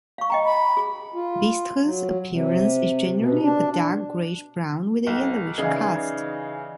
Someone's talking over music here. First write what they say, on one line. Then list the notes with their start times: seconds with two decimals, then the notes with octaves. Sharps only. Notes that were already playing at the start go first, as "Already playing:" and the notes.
Bistre's appearance is generally of a dark grayish brown, with a yellowish cast.
0.18 F5 C#6
0.30 D#5 G5 A#5
0.45 B5
0.77 G#4
1.14 F4
1.84 F#3
2.30 C3
3.18 B2
3.42 D4
5.07 B1
5.58 C#3 E3 D#4 G#4 D5 D#5